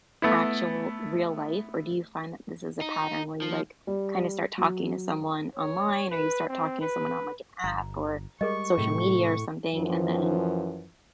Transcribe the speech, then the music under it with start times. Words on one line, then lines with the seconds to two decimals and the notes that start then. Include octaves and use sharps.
actual real life, or do you find that this is a pattern where you, like, kinda start talking to someone online or you start talking to someone on, like, an app or social media or something, and then
0.22 A3 B3 E4
2.81 D#4
3.42 F3
3.87 G3
4.58 F#3
5.55 C#5
6.11 B4
6.48 C4
6.81 B4
7.64 G1 A#5
8.41 G3 G#3 G#4 A#4 D#5 C#6
8.77 A2 C3 F#3 A3
9.74 F#2 E3 F3